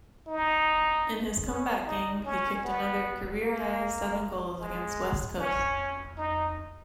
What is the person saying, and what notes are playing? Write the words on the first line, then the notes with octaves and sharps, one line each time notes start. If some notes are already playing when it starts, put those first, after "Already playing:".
In his comeback game he kicked another career-high seven goals against West Coast.
D#4
C#4
D#4
C#4
B3
A#3
G#3
C#4
D#4